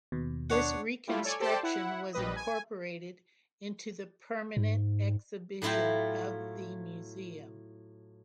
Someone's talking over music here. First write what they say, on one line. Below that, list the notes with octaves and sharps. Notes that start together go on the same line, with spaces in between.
This reconstruction was incorporated into the permanent exhibition of the museum.
D#2 B2
D4 C#5 F#5
G3 A3 E4 F4
A4 C#5 D5 G#5
G4 A4 C5 D5 G5 A5
E4 F#5
A#1 G3 B4 D#5
G#5
G#2
A2 F#3 E4 F4 G5